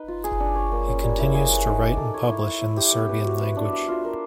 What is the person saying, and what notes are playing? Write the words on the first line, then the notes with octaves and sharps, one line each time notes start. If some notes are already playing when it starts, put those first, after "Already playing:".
He continues to write and publish in the Serbian language.
Already playing: D#4 B4
F4
G#4
D4
C#5
A#3
C#4
G3
E4
G#4
B4
D#4
D5
A4
C#5
E4
E5
E4
G4
B3
B4
F#4
B4
D4
E5
F4
A#4